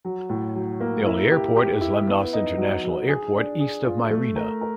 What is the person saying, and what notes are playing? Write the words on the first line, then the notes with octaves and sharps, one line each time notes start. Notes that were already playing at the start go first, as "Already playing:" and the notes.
The only airport is Lemnos International Airport, east of Myrina.
F#3
A2
F#3
A#3
E4
G4
G4
E4
B3
D#4
F#3
F#3
G#4
D4
G#4
F4
A3
A#4
A#4